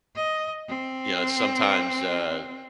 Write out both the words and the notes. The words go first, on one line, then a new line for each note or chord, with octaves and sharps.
you know, it's sometimes uh,
D#5
C4